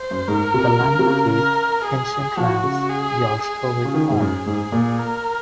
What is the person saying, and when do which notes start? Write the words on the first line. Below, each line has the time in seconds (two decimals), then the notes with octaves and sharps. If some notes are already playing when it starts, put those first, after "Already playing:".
The line Keep, ancient lands, your storied pomp!
Already playing: C5
0.11 F#2
0.28 G#2 A#4
0.54 C3
0.80 C#3
0.99 C3
1.06 C#3
1.33 A#4
1.84 G#4
2.37 F3 F#4
2.63 C#3
2.90 G#4
3.42 G#4
3.85 C#3
3.94 D#3 G#4
4.10 G#2
4.20 F#2
4.46 G#2
4.72 A#2
4.99 A#4